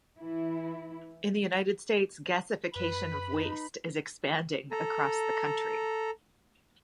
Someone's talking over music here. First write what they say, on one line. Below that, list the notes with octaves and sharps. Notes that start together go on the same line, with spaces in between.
In the United States, gasification of waste is expanding across the country.
E3 E4
F#2 B4 B5
D#4
A4 A#5